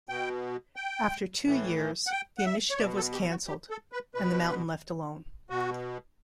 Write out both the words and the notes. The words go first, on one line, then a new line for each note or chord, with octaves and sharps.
After two years the initiative was cancelled and the mountain left alone.
B2 G5
G5
A2 E3
F#5
G5
F#5
E5
C#5
B2 D5
A4
G4
F#4
G4
A4
B4
B2 B4
B2 F#4